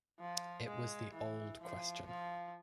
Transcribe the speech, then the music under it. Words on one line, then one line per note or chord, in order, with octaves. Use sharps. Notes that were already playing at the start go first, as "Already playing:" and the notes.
It was the old question.
F3
G#3
E3
F3
F3